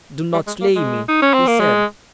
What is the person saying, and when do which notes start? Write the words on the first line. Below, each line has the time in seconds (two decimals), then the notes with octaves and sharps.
"Do not slay me," he said.
0.33 G3
0.47 G#3
0.61 A#3
0.76 G#3
1.08 D#4
1.22 C#4
1.33 C4
1.47 A#3
1.60 G#3